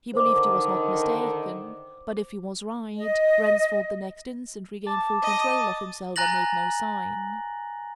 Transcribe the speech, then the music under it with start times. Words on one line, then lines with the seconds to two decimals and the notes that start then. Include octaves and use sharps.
He believed he was not mistaken--but if he was right, Ransford the next instant regained full control of himself and made no sign.
0.14 D3 D#3 C5 D6
2.97 D#5
4.87 A5 D6
5.22 D#5
6.16 G#5 A#5 F#6 A6 A#6 F#7